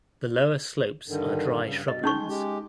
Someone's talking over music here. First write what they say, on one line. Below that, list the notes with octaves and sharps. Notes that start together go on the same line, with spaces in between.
The lower slopes are dry shrublands.
G2 D3 D#3
G2 C#3
G2 B2 D#5
G#3 C#4 D#4 C#6
G#3 G4